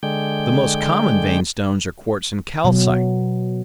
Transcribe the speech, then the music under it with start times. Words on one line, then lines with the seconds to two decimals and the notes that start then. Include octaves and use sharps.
The most common vein stones are QUARTZ and CALCITE.
0.03 D3 G#3 G5
2.64 B2 F#3